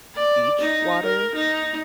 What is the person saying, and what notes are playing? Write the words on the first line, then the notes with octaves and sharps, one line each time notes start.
beach water
D5
D#4
A#4
D#4